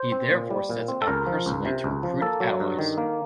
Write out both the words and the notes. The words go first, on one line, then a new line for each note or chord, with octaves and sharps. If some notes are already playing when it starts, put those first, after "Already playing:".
He therefore sets out personally to recruit allies.
Already playing: C5
C4
A#2
G3
A#2
C4
A4
C#2 A#4
F3
C#2
C3
C#2
F3
A#3 A4
F#3
G2
D#3
A#3